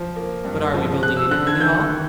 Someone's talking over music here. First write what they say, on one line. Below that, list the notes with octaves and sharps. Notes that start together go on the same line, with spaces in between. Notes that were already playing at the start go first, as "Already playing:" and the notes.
"But are we building anything at all?"
Already playing: F3
A#3
G2
F3
F3 F#6
E6
D3 F#6
G#6
D#3 G6
D#3